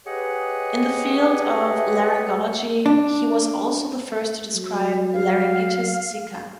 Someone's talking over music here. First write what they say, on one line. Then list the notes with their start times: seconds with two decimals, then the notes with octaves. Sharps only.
In the field of laryngology, he was also the first to describe “laryngitis sicca”.
0.06 G4 G#4 B4 C#5 D#5 F#5
2.86 D4
4.55 F#3
5.13 F5